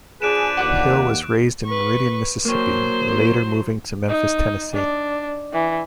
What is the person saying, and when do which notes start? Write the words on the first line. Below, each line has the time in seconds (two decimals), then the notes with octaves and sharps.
Hill was raised in Meridian, Mississippi, later moving to Memphis, Tennessee.
0.22 F3 D4 G#4 B4 F#6 D7 E7
0.57 D#2 F#4 D5 F#5
1.65 B4 C#6
2.45 F#3 A#3 C5 C#5
4.08 D#4
4.73 D4
5.53 E3